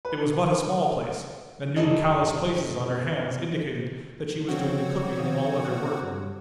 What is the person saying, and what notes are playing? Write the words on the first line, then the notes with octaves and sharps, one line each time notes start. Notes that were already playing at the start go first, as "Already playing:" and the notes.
It was but a small place, and new callous places on her hands indicated that she was doing the cooking and all other work.
B4
F#2 G3 A3 D#5
F2 C4 F#4 C#5
D#3 F5 D#6
F#6
G2 G3